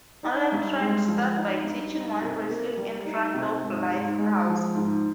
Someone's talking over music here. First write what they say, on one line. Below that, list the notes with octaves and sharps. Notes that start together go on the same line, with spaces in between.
Allen trained Studd by teaching while wrestling in front of live crowds.
D#4
G2
G#3
F3
D#4
G2
D#4
C3
A#3
G3
D#4
C3
G#2
G#2
G#3
F3
G#2